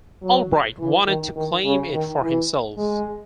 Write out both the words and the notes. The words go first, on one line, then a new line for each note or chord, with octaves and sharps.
Albright wanted to claim it for himself.
F#3
E3
D#3
D#3
C#3
D#3
E3
G#3